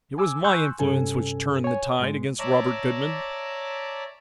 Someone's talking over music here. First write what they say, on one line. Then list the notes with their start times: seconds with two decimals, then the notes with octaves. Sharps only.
It was my influence which turned the tide against Robert Goodman.
0.18 G#5 D6 E6
0.44 G#5 C6 C#6 E6 F#6 G6
0.79 G2 C3 C#4 A4 G#5
1.64 C#5 G#5
2.00 G#2 G#3
2.39 C#5 D5 E5 A5 A#5 D6